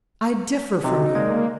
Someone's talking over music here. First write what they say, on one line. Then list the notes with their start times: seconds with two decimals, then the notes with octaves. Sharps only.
'I differ from you.
0.84 C3 D#4 F#4 A4
1.15 G#3 A#3 D5